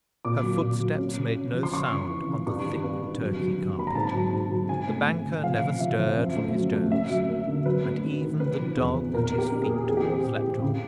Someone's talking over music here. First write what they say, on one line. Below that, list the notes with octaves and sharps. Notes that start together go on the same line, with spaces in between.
Her footsteps made no sound on the thick Turkey carpet; the banker never stirred from his doze, and even the dog at his feet slept on.
A#2 D6
F#3
A#2
F#3
C#4
C#3
C#4
F3
C6
C#3 C#6
C#3
E3
C#3
G2 C#6
D#3
G2
G2
F#3
F#3
F#3
A#3 B5
A#5
G#2 A5
F#3
G#2
F#3
C#3 G#5
A3
A3
C#3
F3 F5
C3
F3 E5
F3
F#2
A3
F#3
A3
C#4 E5
F#3
A#3
D3
F#3 B4
A3
C#4
D#3
C#3 B4
F3
E2
E2
A#2 A#4
A#3
G4
D4
G#4
A#3
E3 G#4
G4
C4 G#4
A2
A2
C#3